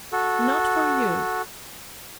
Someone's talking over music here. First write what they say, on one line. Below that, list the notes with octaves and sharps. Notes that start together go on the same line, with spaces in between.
Not for you!
F#4 A4